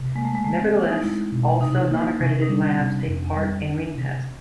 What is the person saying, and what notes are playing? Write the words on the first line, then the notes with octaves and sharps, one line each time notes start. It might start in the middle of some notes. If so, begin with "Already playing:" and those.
Nevertheless, also non accredited labs take part in ringtests.
Already playing: C3
G#3 A#3
A3
G#3
C#3 A3
C4
A#3
E4
D#4
G#3 E4
B2
C3 D#4
E4
D#4
A#3 E4
D#4
C3 C#4
D#4
G3 D4
C#4
C4
C3 B3
F2
G3
D4
C3